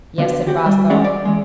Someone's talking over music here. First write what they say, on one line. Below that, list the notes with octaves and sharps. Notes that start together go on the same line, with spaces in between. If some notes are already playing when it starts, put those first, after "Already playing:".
"Yes," said Roscoe.
D3 B3 F#4
F#4 G4
G3
E3 G#3 C#4 G#4 D5 F#5
D5
E3 G#3